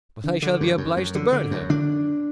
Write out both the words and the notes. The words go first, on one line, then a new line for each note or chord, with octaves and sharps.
"But I shall be obliged to burn her."
D3
D3
F#2
F#2
F#2
D3
D3
F#2
D3 D4